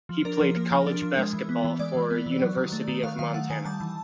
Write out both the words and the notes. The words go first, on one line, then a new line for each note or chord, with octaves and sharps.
He played college basketball for University of Montana.
F3
D4 A#4
F3
A#3
F3
D4
F3
G#3
E3
B3
E3
G#3 D5
E3
B3
E3
F#3
D#3
A3
D#3
F#3 F5
D#3 F5
A3 F#5
D#3 G#5
G3 A5
E3